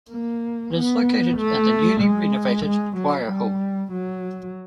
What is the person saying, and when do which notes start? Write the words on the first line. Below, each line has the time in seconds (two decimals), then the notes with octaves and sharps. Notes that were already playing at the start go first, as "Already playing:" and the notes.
It is located in the newly renovated Dwire Hall.
0.10 A#3
0.74 B3
1.37 A3
2.01 G#3
2.65 G#3
2.96 F#3
3.29 G3
3.92 F#3